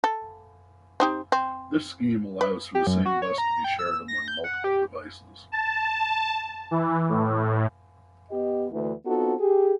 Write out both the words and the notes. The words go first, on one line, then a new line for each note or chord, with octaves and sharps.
This scheme allows for the same bus to be shared among multiple devices.
A4
C4 D#4 G4
C4
B4
G4
F#2
F#4
C#5
A#5
G5
E6
A#6
G6
F#5
G4
A5
E3
A2
B3 G4 D#5
D2 E3
B3 C4 D#4 F4 F#4 A4
G4 G#4